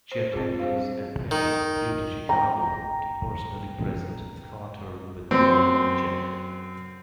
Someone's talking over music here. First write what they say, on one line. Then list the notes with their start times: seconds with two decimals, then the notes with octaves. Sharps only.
Chairetakis and Fleming flew to Chicago to personally present Carter with a royalty check.
0.12 C5
0.33 C4 F4 G#4
0.60 G#4 C5 F5
1.31 D#3
2.29 G5 A#5
5.31 F#2 C4